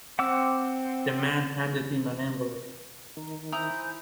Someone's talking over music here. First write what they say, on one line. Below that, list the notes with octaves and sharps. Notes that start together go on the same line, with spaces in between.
The man handed him an envelope.
C4 F#5 D6 E6
D#3 A#5
E4 C5 G#5 A#5 D#6 G6